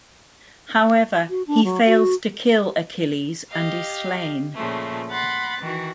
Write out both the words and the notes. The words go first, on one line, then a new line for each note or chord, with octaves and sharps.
However, he fails to kill Achilles, and is slain.
F#4
D4
F#3
F#4
G4 D#5 F5
A#2 C#3 F3 A3
F#5 B5 C6 F#6 A6
D#3 E3 F#4